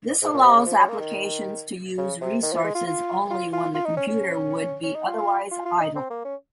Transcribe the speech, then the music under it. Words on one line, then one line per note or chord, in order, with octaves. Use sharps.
This allows applications to use resources only when the computer would be otherwise idle.
G#2
A#2
C3
C#3
F3
F#3
A#3
D#3
C#3
C3
D#3
F3
G#3
F4
F4
F4
F4
F4
D#4
C#4
C#4
C#4
D#4
F4
F4
F4
D#4
C4
A#3
C#4